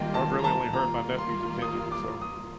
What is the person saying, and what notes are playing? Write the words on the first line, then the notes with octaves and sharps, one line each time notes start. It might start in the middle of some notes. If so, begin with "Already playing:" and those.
I I've really only heard my nephew's opinion, so
Already playing: D#3 G3 A#3 F4 D#5 G5
A5
A#5
A5
D#3 G3 A#3 F4 A#5
C6
D#6
D6
D#6